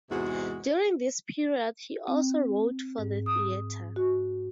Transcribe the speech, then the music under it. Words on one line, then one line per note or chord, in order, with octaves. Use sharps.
During this period he also wrote for the theatre.
E2 G#2 C3 G#3 F#4
C4
G#2
D#6
F#4